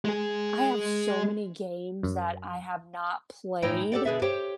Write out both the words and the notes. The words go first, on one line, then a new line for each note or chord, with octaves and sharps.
I have so many games that I have not played.
G#3 G#4
F#2
A2 E3 D#4 C#5 G5
G4 A4 C5 D5 F#5 G5
B2 D3 G#4 B4 D5 E5
G4 C5 C#5 G5